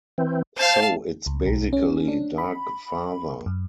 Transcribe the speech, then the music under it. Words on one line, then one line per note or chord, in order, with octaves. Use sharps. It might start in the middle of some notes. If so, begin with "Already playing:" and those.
So it's basically Dark Father.
E3 C4
C5 F5 A5
C#2
B1
C#4
D4
B5
F#2